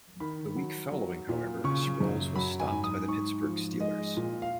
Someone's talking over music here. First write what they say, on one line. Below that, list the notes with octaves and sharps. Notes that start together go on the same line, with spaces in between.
The week following however, Sproles was stopped by the Pittsburgh Steelers.
D#3 B5
F#3
F#3
A#2
C#3 C#6
F#2
F#3 B5
G#5
G#2
D#6
G#2 C#6
F3
G#3 D#5
A#2
F5